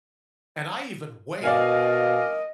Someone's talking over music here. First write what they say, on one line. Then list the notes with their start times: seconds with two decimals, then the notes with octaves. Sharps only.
and I even waved,
1.43 B2 A#4 D5 D#5 F5 G#5